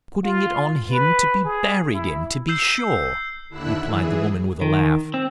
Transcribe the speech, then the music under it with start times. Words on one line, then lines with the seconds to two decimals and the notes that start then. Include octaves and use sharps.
"Putting it on him to be buried in, to be sure," replied the woman with a laugh.
0.24 F4
0.90 B4
1.44 G#4
1.94 E4
2.49 E6 G6 C7
3.49 D#2 D3 E4 E6 F#6
3.83 E3 G#4
4.61 D#3
5.14 C4